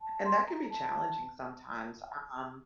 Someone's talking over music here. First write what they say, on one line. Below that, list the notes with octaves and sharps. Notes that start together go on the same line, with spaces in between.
And that can be challenging sometimes. Um,
A5
C6
A#5
A5